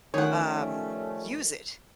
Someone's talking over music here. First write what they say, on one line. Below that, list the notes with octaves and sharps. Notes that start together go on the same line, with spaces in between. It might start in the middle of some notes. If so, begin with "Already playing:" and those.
um, use it
D#3 F3 G3 A3 C#4 C#5 F#5